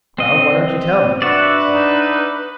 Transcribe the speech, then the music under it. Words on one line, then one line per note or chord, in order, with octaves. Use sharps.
"Well, why don't you tell me?" I said.
C4 D#5
D4 F#4 B4 D5 E5 F#5
D#4